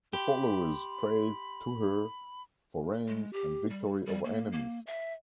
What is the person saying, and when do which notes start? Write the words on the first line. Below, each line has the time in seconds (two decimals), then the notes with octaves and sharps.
The followers prayed to her for rains and victory over enemies.
0.13 G4 B5 C6
3.08 G#3
3.33 G4
3.70 G3
4.06 G3
4.25 A#3
4.52 A#3
4.87 E5